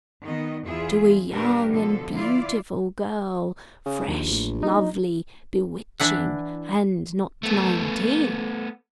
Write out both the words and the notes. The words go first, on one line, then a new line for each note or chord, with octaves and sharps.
To a young and beautiful girl; fresh, lovely, bewitching, and not nineteen.
D#3 B3 D#5
E2 E4 F4 G#4
A#2 G3 D4 G4 A#4 B4
B2 D3 F3 A4
E4 F4 D5
C#3
A#1 D#2
A1
D#4
E3 D4 E4 F#5
A3 B3